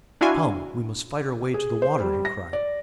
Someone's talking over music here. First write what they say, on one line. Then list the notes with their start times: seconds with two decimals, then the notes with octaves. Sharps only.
"Come, we must fight our way to the water!" he cried.
0.21 D4 E4 F#4 F5 G#5 C6
1.54 G#4
1.82 C5
2.00 G3
2.25 A#6
2.53 D5